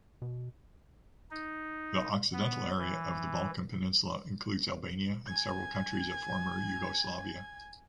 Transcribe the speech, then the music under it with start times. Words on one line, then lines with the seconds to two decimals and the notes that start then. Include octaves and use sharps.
The occidental area of the Balkan peninsula includes Albania and several countries of former Yugoslavia.
0.22 B2
1.31 D#4
2.33 B3
2.78 E3
5.27 G#5 G#6